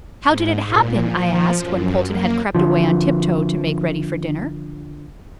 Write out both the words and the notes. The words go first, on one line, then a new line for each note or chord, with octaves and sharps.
"How did it happen?" I asked when Polton had crept away on tip-toe to make ready for dinner.
G#2
A#2
F3
F#2
A#3
D3 F3